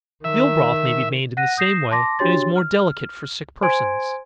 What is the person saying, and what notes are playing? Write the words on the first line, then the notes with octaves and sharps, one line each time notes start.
Veal broth may be made in the same way, and is more delicate for sick persons.
D#3 E5
F#5 F#6 A#6 D#7
D#6 G6 A#6 C7 E7
A5 C6 D6 A#6
D4 F#4 G4 C#5 C6 A6
F6
C5 G#5 C6 G#6 D7